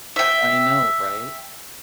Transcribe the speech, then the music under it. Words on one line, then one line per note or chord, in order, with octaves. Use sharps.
I know, right?
E5 G5